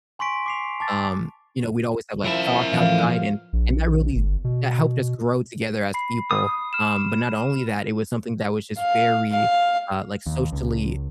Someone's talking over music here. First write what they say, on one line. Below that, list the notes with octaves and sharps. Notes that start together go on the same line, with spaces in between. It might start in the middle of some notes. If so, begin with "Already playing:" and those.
Um, you know, we'd always have like chalk outside and and that really, that helped us grow together as people. Um, but not only that, it was something that was just very, uh, like socially,
G#5 C6 C#6 B6 D7
D6 C7 F7
A5 D6 A6
F3 E4 A#4 E5 E7
A2 E3 F3 F5
A#1
G1
B2
B5 C7
D#6
F6 E7
F5
F5
D#2
C#2